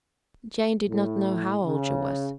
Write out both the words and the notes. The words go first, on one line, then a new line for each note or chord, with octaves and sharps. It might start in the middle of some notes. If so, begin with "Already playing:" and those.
Jane did not know how old she was.
A2
C#3